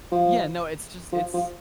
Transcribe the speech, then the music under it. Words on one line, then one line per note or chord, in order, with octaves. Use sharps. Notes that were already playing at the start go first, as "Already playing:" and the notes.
Yeah, no, it's just it's
F3
F3
F3